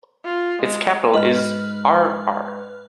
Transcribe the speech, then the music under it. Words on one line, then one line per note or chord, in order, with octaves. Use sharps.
Its capital is 'Ar'ar.
F4
G#3
G#2 B4 D#5 F6